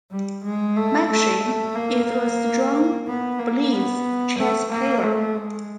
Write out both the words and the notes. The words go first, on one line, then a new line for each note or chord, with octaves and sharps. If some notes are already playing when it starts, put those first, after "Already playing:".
McShane is a strong blitz chess player.
G3
G#3
A3
A3
A3
A#3
B3
A#3
B3
A3
A#3
A3
G#3